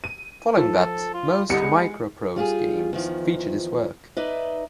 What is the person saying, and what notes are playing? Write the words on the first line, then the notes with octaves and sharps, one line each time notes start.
Following that, most MicroProse games featured his work.
D#7
F3 A4
F4
C2 D3 G4 D#5 C#7
G#3 B3
G3 F4 G4 G#4
E2 D#3 F3
D#4 B4 D5 E5